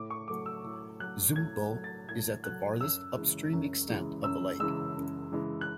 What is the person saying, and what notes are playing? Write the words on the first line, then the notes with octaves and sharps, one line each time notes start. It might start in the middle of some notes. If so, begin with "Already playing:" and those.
Zumbo is at the farthest upstream extent of the lake.
Already playing: A2 D6
C#6
F#3 A3 D6
E6
A2
F#3 A3 F#6
A2 G#6
F#3 A3
A6
A2 G#6
F#3 A3 F#6
F#2 E6
C#3 E3 G#3
F#2
C#3 E3 G#3
F#2 E6
C#3 E3 G#3 E6
F#2
C#3 E3 G#3
F#6